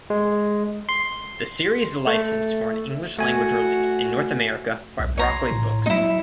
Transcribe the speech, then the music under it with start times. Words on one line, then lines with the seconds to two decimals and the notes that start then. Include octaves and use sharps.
The series licensed for an English-language release in North America by Broccoli Books.
0.10 G#3
0.89 C6
2.07 A3
3.19 A3 F#4 G#5
4.99 B1
5.18 C#5 A#5 C6
5.51 A2
5.86 F#3 D#4 E4